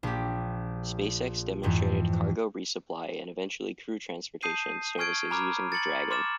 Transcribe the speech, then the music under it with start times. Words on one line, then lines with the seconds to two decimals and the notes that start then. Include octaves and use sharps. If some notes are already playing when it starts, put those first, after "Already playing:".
SpaceX demonstrated cargo resupply and eventually crew transportation services using the Dragon.
0.03 A#1 G4
1.63 F2 G#2 E3
4.42 A5 D#6 G6 C7 D#7
4.98 G#5 C#6 F6 G#6 D7
5.30 G#5 A#5 B5 D6 F6
5.72 A6 C#7 F#7
6.11 C6 D6 F6 A6 E7